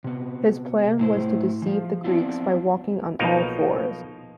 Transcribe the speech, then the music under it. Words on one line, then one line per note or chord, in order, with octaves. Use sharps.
His plan was to deceive the Greeks by walking on all fours.
C3 B3
A2 E4 C5
E3 F3
B3 C4 D4 E4 F4
B1 B2 F3 A#3 D#4 A#4